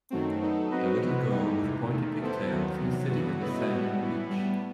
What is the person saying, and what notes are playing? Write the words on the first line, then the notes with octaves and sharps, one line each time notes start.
A little girl with pointy pigtails is sitting in the sand on the beach.
F#2 D#3 F#3 A3 C4
F#3 B3 D#4 A4
F#3 C4 F#4 B4 D#5
C3 E3 B3 F#4 B4
G2 E3 A3 D#4 G4
E2 C3 E3
E2 D#3 A3
G3 B3 E4 A4 C5
D#2 D#3 F#3 B3
E2 C3 F#3
G2 E3 B3 F#4
F#3 A3 E4 B4 D#5
A2 G3 B3 F#4
A2 E3 B3 E4
A2 G3 B3